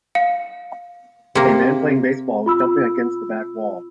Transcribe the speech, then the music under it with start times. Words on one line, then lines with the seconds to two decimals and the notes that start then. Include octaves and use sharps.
A man playing baseball is jumping against the back wall.
0.15 F5 C#7
1.35 C3 A#3
2.46 F4 B5 E6